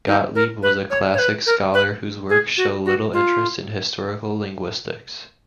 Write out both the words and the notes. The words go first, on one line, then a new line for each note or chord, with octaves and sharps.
Gottlieb was a classics scholar whose works show little interest in historical linguistics.
D#4
A#4
B4
C#5
C#5
B4
A#4
B4
G#4
F#4
F#4
F4